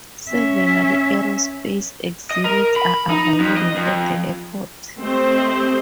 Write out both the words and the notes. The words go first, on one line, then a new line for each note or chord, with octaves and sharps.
Several aerospace exhibits are available at the airport.
C#4 E5
D#5
A#4
B5
D#4
F2
D#5
F2
A3 C4 G4 C5 D#5